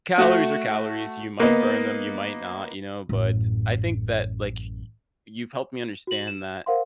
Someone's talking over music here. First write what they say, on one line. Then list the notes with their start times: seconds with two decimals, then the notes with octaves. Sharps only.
calories are calories, you might burn them, you might not, you know, but, I think that, like, y you've helped me understand that
0.18 A3 F#4
1.40 A#3 B3 D#5
3.09 A1 F#2
6.07 F#4 F#7
6.28 E7
6.66 A#4 C5 F5 F#5 C6